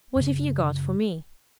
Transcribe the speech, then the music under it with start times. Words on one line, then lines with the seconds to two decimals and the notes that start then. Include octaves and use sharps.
What have you got for me?'
0.16 F#2 C#3